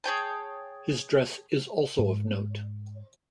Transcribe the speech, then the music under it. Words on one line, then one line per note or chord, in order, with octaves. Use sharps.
His dress is also of note.
G#4 C#5 G5 A5
G#2